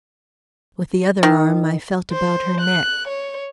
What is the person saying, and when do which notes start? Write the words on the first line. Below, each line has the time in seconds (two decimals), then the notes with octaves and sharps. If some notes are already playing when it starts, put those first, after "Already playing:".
With the other arm I felt about her neck.
1.23 D#3
2.12 C5
2.61 F#6
3.08 C#5